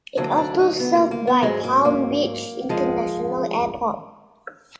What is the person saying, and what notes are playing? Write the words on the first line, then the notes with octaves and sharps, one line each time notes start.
It also served by Palm Beach International Airport.
D2 D3 F#3 A#3
D4
D#4
B3
A#3
A#3
B3
G#2 F#3 G#3
A#3
A#3
F3 G#3